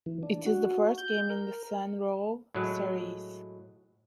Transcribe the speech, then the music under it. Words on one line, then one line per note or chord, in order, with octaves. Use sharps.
It is the first game in the "Saints Row" series.
E3
D4
F#4
G6
A#4
A2 F#3 G#3